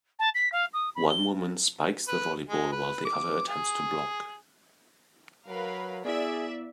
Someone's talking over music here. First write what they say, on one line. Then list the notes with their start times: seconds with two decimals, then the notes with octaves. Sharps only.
One woman spikes the volleyball while the other attempts to block.
0.19 A5
0.34 B6
0.52 F5
0.73 D#6
0.95 B5
1.09 G7
2.08 B4
2.49 G#3
2.72 B4
3.05 D6
3.48 G#4
5.48 F#3 A#4 B4 F5
6.05 B3 E4 G#4 D5 E5